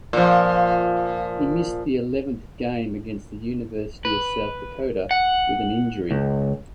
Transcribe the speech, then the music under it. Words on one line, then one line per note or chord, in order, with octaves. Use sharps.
He missed the eleventh game against the University of South Dakota with an injury.
A#2 F3
B4
F#5
C#2